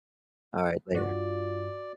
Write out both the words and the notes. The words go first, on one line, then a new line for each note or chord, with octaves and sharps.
Alright, later.
G2 F4 F#4 D5